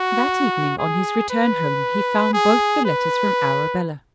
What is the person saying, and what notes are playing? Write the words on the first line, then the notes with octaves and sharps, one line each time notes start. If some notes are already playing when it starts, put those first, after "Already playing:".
That evening on his return home he found both the letters from Arabella.
Already playing: F#4
G#4
B4
G#4
B4